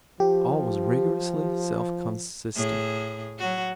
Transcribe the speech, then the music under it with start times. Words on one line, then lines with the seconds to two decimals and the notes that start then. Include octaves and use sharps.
All was rigorously self-consistent.
0.20 F3 G4
2.56 A2 G#4
3.38 F#3 F#4